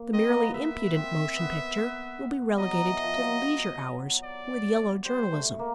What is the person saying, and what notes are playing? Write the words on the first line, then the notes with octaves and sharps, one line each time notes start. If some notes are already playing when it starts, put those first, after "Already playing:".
The merely impudent motion picture will be relegated to the leisure hours with yellow journalism.
Already playing: A#3
C4 D#5
B3
A#3
B3
B3 E5
C4
B3
B3
F#3 D#5
E3
F3
F#3
D5
G3 C5
A3
A#3